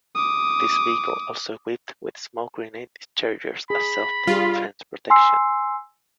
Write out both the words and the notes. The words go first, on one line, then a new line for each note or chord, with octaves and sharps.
This vehicle also equipped with smoke grenade dischargers as self defence protection.
D6 D#6
G#4 B5
G3 F4 G#4
G#5 C6 E6 C7